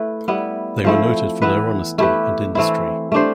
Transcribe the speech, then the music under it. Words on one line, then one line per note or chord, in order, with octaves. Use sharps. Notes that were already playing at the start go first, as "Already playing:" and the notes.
They were noted for their honesty and industry.
Already playing: A3 E4 B4
G3 B3 E4
F3 A3 C4 E4
E3 B3 E4 B4
A3 E4 G4 B4
E3 A3 C4 E4
A3 D4 G4 C5